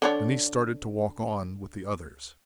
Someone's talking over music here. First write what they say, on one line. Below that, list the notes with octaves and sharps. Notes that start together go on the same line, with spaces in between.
Then he started to walk on with the others.
D3 D4 C#5